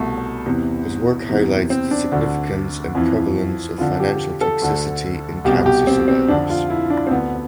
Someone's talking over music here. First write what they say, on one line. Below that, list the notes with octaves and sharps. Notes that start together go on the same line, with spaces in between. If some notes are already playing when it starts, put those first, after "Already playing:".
His work highlights the significance and prevalence of financial toxicity in cancer survivors.
Already playing: C2 B2 A3
E2 C3 E3
E2 C3 E3
C4
D4
D2 D3
F2 E3
F2 D3 F4
G4
A4
D2 D3
C2 B2 G4
G4
C4
C4
F2 D3 D4
F4
E4
D4
C4
D2 D3 B3